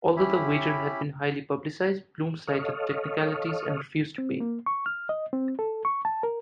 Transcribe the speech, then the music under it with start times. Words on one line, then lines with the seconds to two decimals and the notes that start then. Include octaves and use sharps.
Although the wager had been highly publicized, Bloom cited technicalities and refused to pay.
0.16 C#4 E4 G4 B5
2.47 A4 C#5 D#5 F5
4.18 C4
4.40 A#3
4.66 C#6
4.86 F6
5.09 D#5
5.33 C4
5.59 A4
5.85 C#6
6.05 A5
6.23 A#4